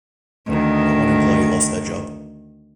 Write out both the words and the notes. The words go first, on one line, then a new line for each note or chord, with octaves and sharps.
Not one employee lost their job.
D2 D#3